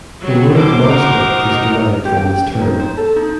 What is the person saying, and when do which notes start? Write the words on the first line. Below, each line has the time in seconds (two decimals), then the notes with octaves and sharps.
The word monster is derived from this term.
0.21 F#3 G3
0.53 B2 D3 F#3 C5 D6
0.88 D#4 F#4 A#4
2.05 G4
2.17 G5
2.29 G4
2.61 D#4
2.80 C5
2.97 A4
3.16 D#4